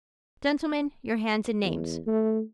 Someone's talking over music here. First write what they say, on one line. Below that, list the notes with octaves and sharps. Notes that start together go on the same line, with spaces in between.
Gentlemen, your hands and names.
E2
A3